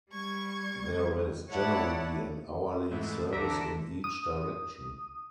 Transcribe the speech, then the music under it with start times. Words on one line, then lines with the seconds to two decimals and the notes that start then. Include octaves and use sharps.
There is generally an hourly service in each direction.
0.12 G3 C#6 G#6
1.50 E4 C#5 D5 F#5 A5
2.91 G#2 E3 A3
3.33 D2 D3 E3 A4 E5 A#5 D6
4.04 D#6